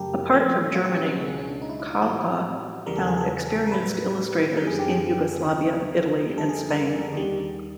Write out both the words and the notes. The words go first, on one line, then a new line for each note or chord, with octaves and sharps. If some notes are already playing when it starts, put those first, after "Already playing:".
Apart from Germany, Kauka found experienced illustrators in Yugoslavia, Italy and Spain.
Already playing: F#2 C#3 F#3 A3 G4 A4 A#4
A#2 F3 A3
F4
G4
C#4
C4
C#2 B2 G#3 B3
C#4
C#4
D4
D#4
E4
E4
F4
A2 E3 G3 F#4
E2 C#3 E3 G3 A#4
A4
G#4
A4
A#4
A2 F#3 A3 B4
F#2 D3 G3 A#4
G#4
G4
G#4
D#2 C#3 F#3 A#4
F2 D3 G3
A4
G#4
A4
A#4
D#2 D#3 G3